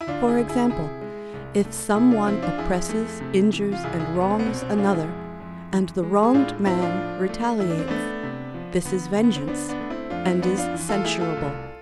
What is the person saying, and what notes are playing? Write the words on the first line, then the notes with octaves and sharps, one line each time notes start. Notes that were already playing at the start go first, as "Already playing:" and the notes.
For example, if someone oppresses, injures and wrongs another, and the wronged man retaliates, this is vengeance and is censurable.
E4
D2 D4 F4
E4 G#4
D2
E4 G#4
C3 E4 G#4
G#3
C2
A3
C3 E4 G#4
D4 F4
F3 C4 E4
D4 F4
F2 E4 G#4
A3
C3
E3
F4
C2 E4 G#4
E4 G#4
C2
B3
C4
B3
B2 C4
C4
G#4
G#3 D4 F4
E4 G#4
F2
F2
E3
G#3
G#4
A2 D4 F4
A2 C4 E4
D4 F4
F3
A3
E2 E4
D4
C4
A3 B3 D4
C3
F3
D2 B3
D2
B3
C4
D3 B3 D4
B3 D4
A3
C4 E4
F2 D4 F4
C4 E4
F2 B3 D4
D4 F4
E3
F4 A4
A3 E4 G#4
F4 A4
C2